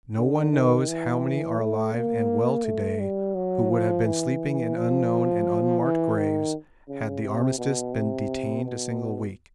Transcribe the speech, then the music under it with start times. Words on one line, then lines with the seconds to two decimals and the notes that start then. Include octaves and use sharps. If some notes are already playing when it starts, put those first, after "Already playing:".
No one knows how many are alive and well today who would have been sleeping in unknown and unmarked graves had the armistice been detained a single week.
0.18 D3
0.53 D#3
0.88 E3
1.59 A3
1.94 A#3
2.64 A3
3.00 G3
3.35 F#3
3.70 F3
4.06 E3
4.76 F3
5.82 E3
6.17 D#3
6.88 C#3
7.22 C3
7.58 B2
7.94 C3
8.64 B2